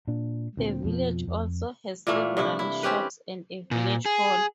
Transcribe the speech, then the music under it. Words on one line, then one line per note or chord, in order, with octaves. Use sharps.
The village also has several shops and a village hall.
A#2 D4
D2 A#2 C4
F2 B2 F3
F2
A#2 E3 A3 A#3
G2 C3 E4
E4
C4 C#4 G4 B4
A#2
G#4